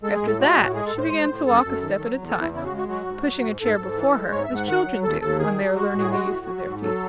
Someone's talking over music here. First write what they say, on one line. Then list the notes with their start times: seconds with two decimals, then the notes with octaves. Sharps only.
After that she began to walk a step at a time, pushing a chair before her, as children do when they are learning the use of their feet.
0.03 G#3 A4
0.16 G#4
0.22 A2
0.27 A4
0.39 G#3 F#4
0.57 A2
0.75 G#3 G#4
0.86 A4
0.93 A2
0.99 C5
1.10 G#3
1.28 A2
1.46 F#2 A4
1.63 F#2
1.82 D#3
2.00 F#3
2.18 E2
2.29 A4
2.35 E2
2.41 E4
2.53 C#3 E4
2.65 F#4
2.72 G#3
2.77 F#4
2.88 F#3 F#4
3.07 G#2
3.25 F#3
3.43 G#2
3.60 G#2 A4
3.78 G#2
3.96 E3
4.14 G#3
4.32 G#2 C#5
4.44 E5
4.50 G#2
4.55 F#5
4.67 D#3 F#5
4.85 F#3
5.03 D#2 A4
5.21 D#2 A4
5.39 D#3 G#4
5.57 F#3
5.74 G#3 F#4
5.92 A2
6.00 G#4
6.10 G#3 F#4
6.28 A2
6.46 F#3
6.64 G#2
6.82 F#3 A4